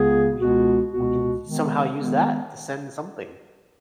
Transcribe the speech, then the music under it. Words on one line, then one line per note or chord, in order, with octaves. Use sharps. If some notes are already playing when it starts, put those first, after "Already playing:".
we we can somehow use that to send something?
Already playing: C#2 C#3 B3 G#4
C#2 B2 B3 F#4
C#2 B2 B3 F#4
D#3 G#3 B3
D#3 G#3 B3